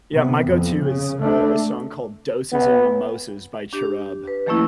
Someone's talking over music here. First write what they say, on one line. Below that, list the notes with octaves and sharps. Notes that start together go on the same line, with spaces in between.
Yeah, my go-to is a a song called Doses and Mimosas by Cherub.
C3 B3
F2
C#3
A3 D4
B3
D4 G4
B4
D#3 F3 A3 A#3 C#4 E4